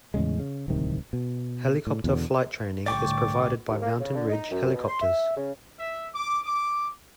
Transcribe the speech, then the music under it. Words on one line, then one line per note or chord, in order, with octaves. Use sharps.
Helicopter flight training is provided by Mountain Ridge Helicopters.
E2 A2 C#3 G#3
C#3
D1 C2 C3 D#3
B2
A2
E2 B2 D3
C2 A2 D3 D5 G5 C#6 D6
D#2
A#3
C#3
D3
D#4
F#2
B2
C6
E5
C#3
E5
D6
D6